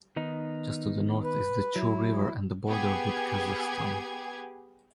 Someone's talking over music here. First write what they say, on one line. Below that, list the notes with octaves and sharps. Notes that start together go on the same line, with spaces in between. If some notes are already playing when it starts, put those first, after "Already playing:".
Just to the north is the Chu River and the border with Kazakhstan.
D#3 B3 D#4
B4
F#3 E4
B3 G4 G#4 G#6